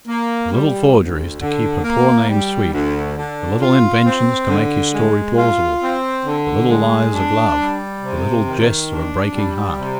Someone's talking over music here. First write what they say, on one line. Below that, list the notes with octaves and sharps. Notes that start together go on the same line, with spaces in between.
The little forgeries' to keep her poor name sweet, the little inventions to make his story plausible, the little lies of love, the little jests of a breaking heart!
A#3
G3
D2
D3
A#3
G3
D2
D3
F4
C4
D3
G#3
F4
C4
D3
G#3
D4
G3
C3
D#3
D4
G3
C3